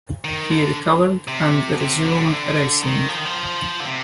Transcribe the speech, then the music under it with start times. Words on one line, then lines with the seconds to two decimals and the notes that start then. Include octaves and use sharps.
He recovered and resumed racing.
0.25 D#3
0.50 D3
1.28 C3
1.72 B2
1.80 C3
2.06 D3
2.25 C3
2.31 D3
2.82 D#3
3.08 F3
3.17 D#3
3.25 F3
3.80 D3
3.86 C3